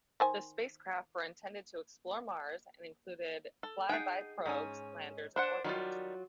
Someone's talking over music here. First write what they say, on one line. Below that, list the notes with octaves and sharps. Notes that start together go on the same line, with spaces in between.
The spacecraft were intended to explore Mars, and included flyby probes, landers and orbiters.
D#3 C5 G#5
A4
D#4 G#4 F#5 G5
G#2 C#4 G#5
D4 C5 F#5
D#3 F#3 G3 F4